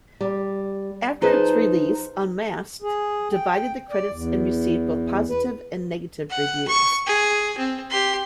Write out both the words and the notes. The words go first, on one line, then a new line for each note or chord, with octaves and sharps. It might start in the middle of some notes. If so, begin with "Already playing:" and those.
After its release, Unmasked, divided the critics and received both positive and negative reviews.
G3
F3 D#4 G#4 B4 C5
G#4
G5
D5
E2
B4
F#5
C#6
G#4
C4
G4 C6